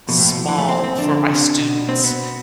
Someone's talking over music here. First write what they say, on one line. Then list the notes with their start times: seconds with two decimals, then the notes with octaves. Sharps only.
small for my students,
0.08 B2 F3
0.18 A2
0.28 B2
0.38 F3
0.49 E3
0.58 A3
0.68 C4
0.84 C4
0.98 D3 D4
1.29 C3
1.58 B2
1.89 C4
2.04 B3